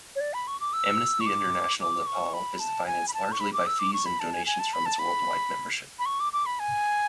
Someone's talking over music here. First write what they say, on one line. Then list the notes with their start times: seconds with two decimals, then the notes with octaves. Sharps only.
Amnesty International Nepal is financed largely by fees and donations from its worldwide membership.
0.16 C#5
0.21 D5
0.34 B5
0.47 C#6
0.60 D6
0.73 E6
1.21 C#6
1.26 D6
1.81 D6
2.07 C#6
2.34 B5
2.59 A5
2.86 G#5
3.08 B5
3.14 A5
3.32 C#6
3.40 B5
3.53 D6
3.67 E6
3.79 D6
3.93 C#6
4.06 B5
4.20 A5
4.34 G#5
4.47 G#5
4.59 A5
4.73 B5
4.86 A5
4.99 B5
5.99 B5
6.06 C#6
6.20 D6
6.33 D6
6.46 B5
6.60 G#5